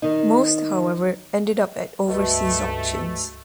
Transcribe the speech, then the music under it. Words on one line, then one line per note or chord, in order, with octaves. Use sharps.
Most, however, ended up at overseas auctions.
D#3 D#4
C#2 G2 A3 F#4 B4 D#5